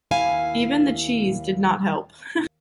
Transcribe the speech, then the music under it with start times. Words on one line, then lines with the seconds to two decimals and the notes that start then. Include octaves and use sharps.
Even the cheese did not help.
0.11 D#2 E4 F5 G#5